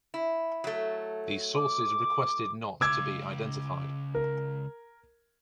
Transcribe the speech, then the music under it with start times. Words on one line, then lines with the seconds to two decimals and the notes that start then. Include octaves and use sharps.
These sources requested not to be identified.
0.14 E4
0.64 F#3 A3
1.56 D6
2.81 C#2 D6 E6 G#6
4.15 A#4